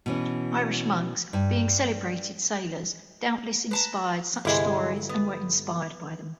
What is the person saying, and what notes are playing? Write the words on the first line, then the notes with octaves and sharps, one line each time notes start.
Irish monks, being celebrated sailors, doubtless inspired such stories and were inspired by them.
B2 E3 C#4
G2
B4 A5 A#5
G1 C3 G#3 E4 G#5
B3